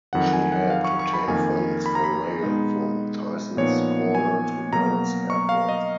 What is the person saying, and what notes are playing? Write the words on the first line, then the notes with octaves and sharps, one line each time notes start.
She helped obtain funds for rail from Tysons Corner to Dulles Airport.
F2 D#3 F#3 F#5
G#5
F#5
F5
C#6
C#6
B5
F2 D#3 A#3 G#5
B5
A#5
B5
B2 G#3 D#4
A#2 F3 B3 D#4 C#5
G#5
B2 F#3 A#3 A#5
C#6
F5
D#5